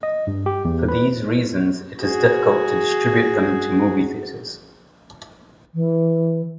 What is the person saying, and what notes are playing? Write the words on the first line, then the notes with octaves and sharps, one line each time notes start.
For these reasons, it is difficult to distribute them to movie theaters.
D#5
G2
G4
E2
B4
F#4 G#4
E3